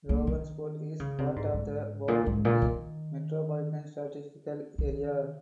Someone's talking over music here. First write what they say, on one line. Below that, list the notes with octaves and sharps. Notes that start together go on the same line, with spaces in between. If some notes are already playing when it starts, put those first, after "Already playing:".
Logansport is part of the Bowling Green Metropolitan Statistical Area.
A#3
D#3
C#3
C3
G#2
G#2
A#2
G#2
A#2
D#3
D#3